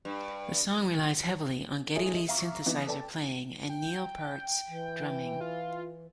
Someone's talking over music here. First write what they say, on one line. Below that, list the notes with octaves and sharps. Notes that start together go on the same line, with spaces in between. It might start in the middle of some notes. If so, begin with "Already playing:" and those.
The song relies heavily on Geddy Lee's synthesizer playing and Neil Peart's drumming.
G2
E4 F4 G#4 A4 C#5 D#5
E5 F5 A#5 C#6 D6
E3 B3 D#4
A4 B4 D5 G5 A5
G5
E3
F4